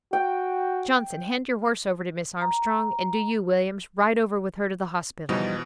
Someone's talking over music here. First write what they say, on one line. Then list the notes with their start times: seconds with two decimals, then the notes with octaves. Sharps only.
Johnson, hand your horse over to Miss Armstrong, and do you, Williams, ride over with her to the hospital.
0.13 F#4 G5
2.41 A#5
5.29 B2 E3 F3 G3 D#4